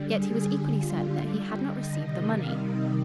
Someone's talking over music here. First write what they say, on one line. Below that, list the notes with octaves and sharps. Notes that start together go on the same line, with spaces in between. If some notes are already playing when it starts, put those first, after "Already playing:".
Yet he was equally certain that he had not received the money.
Already playing: D3 G3
G#4
D3 G3 F4
G4
D#5
C3 D#3 G3 D#5
F5
D#5